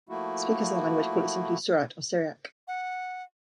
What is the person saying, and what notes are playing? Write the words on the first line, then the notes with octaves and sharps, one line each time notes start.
Speakers of the language call it simply "Surat", or 'Syriac'.
F3 A3 A#3 E4 F#4
F#5